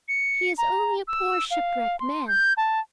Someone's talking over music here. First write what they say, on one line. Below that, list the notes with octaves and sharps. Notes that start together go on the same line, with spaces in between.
He is only a poor shipwrecked man.
C#7
A#5
E6
F5
C6
G6
A5